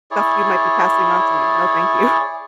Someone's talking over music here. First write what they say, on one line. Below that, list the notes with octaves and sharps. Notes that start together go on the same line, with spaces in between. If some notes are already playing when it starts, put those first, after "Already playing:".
stuff you might be passing on to me. No, thank you."
E4 G#4 C#5 D5